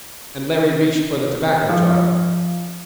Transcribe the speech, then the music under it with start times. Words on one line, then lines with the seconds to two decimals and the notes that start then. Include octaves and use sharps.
And Larry reached for the tobacco jar.
1.69 F3